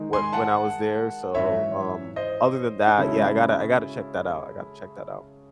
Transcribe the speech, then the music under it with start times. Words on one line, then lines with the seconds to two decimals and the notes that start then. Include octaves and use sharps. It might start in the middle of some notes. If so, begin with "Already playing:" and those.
when when I was there, so, um, other than that, yeah, I gotta I gotta check that out. I gotta check that out.
Already playing: D#3 G#3 D#4
0.13 G#5 C6
0.32 F#5 A5
1.34 G#1 F#2 E3 C#5 E5
2.16 C5 D#5
2.87 D#4
2.98 C#3 G#3 C#4 E4 F#4 A4